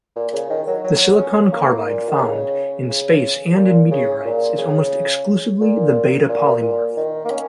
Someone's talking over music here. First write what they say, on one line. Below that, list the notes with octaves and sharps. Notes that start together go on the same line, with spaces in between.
The silicon carbide found in space and in meteorites is almost exclusively the beta-polymorph.
A#2
C#3
D#3
F#3
F#3
C#4
A#3
A#2
D#3
C#3
C#3
A#2
C#3
A#2
C#3
A#2
A#2
A#2
D#3
A#3
C#4